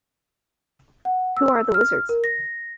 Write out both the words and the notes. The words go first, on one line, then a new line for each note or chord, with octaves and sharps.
Who are the Wizards?
F#5
E6
F6
A#4
A#6